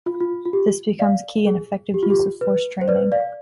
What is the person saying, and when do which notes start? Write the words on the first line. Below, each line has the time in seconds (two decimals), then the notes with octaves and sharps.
This becomes key in effective use-of-force training.
0.06 F4
0.20 F4
0.45 F4
0.53 G4
0.99 D5 F5
1.47 G#4
1.94 G4
2.03 F4
2.10 G4
2.41 B4
2.81 C5
2.88 B4 D5
3.12 D5 F5